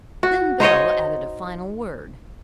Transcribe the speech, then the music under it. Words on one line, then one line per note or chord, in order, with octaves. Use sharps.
Then Belle added a final word.
F#4
D#4 C5 C#5 D#5